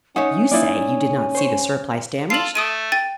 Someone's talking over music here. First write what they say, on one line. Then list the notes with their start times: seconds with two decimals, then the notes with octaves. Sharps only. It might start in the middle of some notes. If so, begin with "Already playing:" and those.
"You say you did not see the surplice damaged?"
0.16 C#4 D#4 C#5 E5 F#5 G#5
0.51 A#3 D#4 E4 D5
1.35 C5 C#5
2.30 F4 A4 C7 F#7
2.55 A3 D#6 D7 D#7
2.92 G5 A6 D#7